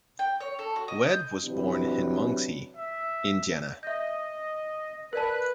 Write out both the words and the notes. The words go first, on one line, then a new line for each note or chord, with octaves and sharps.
Wead was born in Muncie, Indiana.
G5
C#5
A4
F#4
D#5
G6
C3 E3 F#3 D4 B4
E5
D#5 E5 G6
A#4 B4 D5 A5 F#6